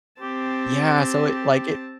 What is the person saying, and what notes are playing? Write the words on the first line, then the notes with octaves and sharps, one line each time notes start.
Yeah, so, it like, it
C4 G4 A5